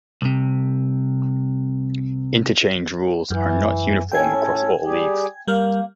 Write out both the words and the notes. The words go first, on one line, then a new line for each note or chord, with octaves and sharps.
Interchange rules are not uniform across all leagues.
C2 C3
F#2 E3
A2 C#4 A4 G5 G#5 G#6
G3 G4 G#4
G3 A#3 A#4 F6